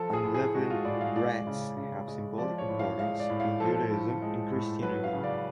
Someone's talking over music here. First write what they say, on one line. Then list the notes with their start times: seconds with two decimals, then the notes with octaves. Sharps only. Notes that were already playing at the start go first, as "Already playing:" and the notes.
Unleavened breads have symbolic importance in Judaism and Christianity.
Already playing: F3 A4
0.13 G#4
0.24 A2
0.34 G#4
0.55 G#3 F#4
0.70 F4
0.85 A2 D5
1.01 F5
1.15 G#3 D5
1.47 C#3
1.77 C#3
2.08 G#3
2.38 F3 D5
2.58 C#5
2.69 A2
2.79 F5
2.99 G#3 F5
3.20 D5
3.30 A2
3.40 F5
3.60 F3 A4
3.91 A2
4.22 G#3
4.52 A2
4.82 F#3 B4
5.04 F5
5.13 C#3
5.24 D5